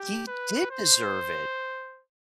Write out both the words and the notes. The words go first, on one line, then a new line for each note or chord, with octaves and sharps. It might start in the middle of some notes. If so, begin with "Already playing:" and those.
He did deserve it.
Already playing: G4
B4
C5